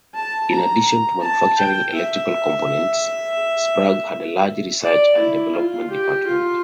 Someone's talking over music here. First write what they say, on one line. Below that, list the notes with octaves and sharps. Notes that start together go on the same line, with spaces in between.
In addition to manufacturing electrical components, Sprague had a large research and development department.
A5
A#5
A5
G5
E5
D5
E4
F4
G4
F4